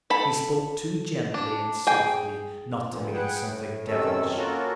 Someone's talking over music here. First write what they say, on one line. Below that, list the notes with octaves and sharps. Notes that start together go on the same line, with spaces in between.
He spoke too gently and softly not to mean something devilish.
A4 B5
D4
G#4 G5
G2 A#2 D3 F3
G#4 B4 F#5 G5
A2
F#2 C3 D#3 C#4 A4 E6
A#3 C#4 F4 F#4 A4 A#4